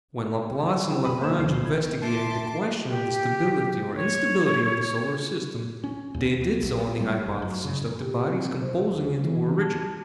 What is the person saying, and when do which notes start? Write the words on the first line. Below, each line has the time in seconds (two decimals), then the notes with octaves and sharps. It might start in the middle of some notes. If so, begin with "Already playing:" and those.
When Laplace and Lagrange investigated the question of the stability or instability of the solar system, they did so on the hypothesis that the bodies composing it were rigid.
0.89 C4 E4
1.05 F#2 B2 G#4 B5 D#6 D#7
1.21 A#3 C5 E7
1.38 G1 D2 D3 F3 C7
1.64 A#1 E4 G#6
2.01 E5 A5 C6 D6
2.88 G4
3.94 C#5
5.84 C#4
6.14 D#2
6.41 B3
6.62 A#1
6.78 B3
7.01 G3
7.26 F#1
7.42 F#2
7.65 C#3
8.02 G4
8.27 C4
8.62 C5
8.90 D2
9.07 G#4
9.24 E3
9.62 A5